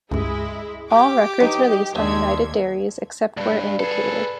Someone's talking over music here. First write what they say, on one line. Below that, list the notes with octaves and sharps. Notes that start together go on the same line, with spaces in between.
All records released on United Dairies, except where indicated.
C#2 G2 G#3 E4
G4 D6
F#3 D#4 B4
D#2 G#3 D4 E5 G#6
D2 G2 D5 A5 B5
G#4 A4 B4